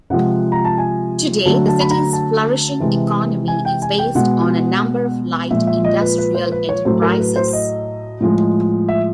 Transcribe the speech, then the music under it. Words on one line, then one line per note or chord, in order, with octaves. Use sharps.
Today the city's flourishing economy is based on a number of light industrial enterprises.
C3 F3 G#3 F#5
A#5
A5
G#5
D3 F#3 A3 A5
A5
B5
A#5
A5
C3 E3 G#3
G#5
G5
G#5
G5
B2 G#3 F#5
A#2 F3 G#3 E5
E5
D#5
B4
B4
C5
B4
C#5
A2 F#3 A3 C5
A#4
B4
C5
D#5
A2 F3 G#3
E5